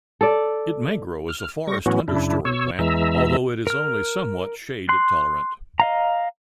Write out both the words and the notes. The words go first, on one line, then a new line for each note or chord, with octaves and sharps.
It may grow as a forest understory plant, although it is only somewhat shade-tolerant.
A4 D5
F6
G3 C#6 A#6
A2 E3 F#3 B3 C#4 F#4
F#2 C#3 D4 E4
B2 C#5 C#6 E6
E2 E3 G#3 E5 A#5 E6
A#4 F6
C6 F#6
D#5 F5 A#5